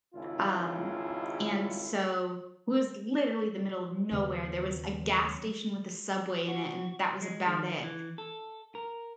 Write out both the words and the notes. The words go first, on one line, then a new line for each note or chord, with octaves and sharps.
um, and so, was literally the middle of nowhere. There was a gas station with a Subway in it, and that was about it.
G#1 C#2 C#3 E4 F4
D#2 C#3 B3
F#3
F#4
G#3
D#3
E3
A4
A#4